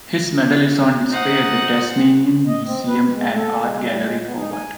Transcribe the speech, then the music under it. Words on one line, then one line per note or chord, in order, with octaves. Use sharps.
His medal is on display at the Tasmanian Museum and Art Gallery, Hobart.
D#4 C5 F#5
D#5
C4
B4
G#3
A4
G#3
G3
G#3
B3
D#4
G#5